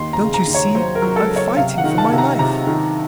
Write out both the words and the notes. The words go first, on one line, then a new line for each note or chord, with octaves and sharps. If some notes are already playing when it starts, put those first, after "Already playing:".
Don't you see I'm fighting for my life?
Already playing: D#2 C6
A#5
C#3
A#5
D#2
C#5
F#3 C5
A#4
F#3
A4
C#3
C#5
C3 F5
F#5
D#3
A5
C3
A#5
C3 A#5
D#3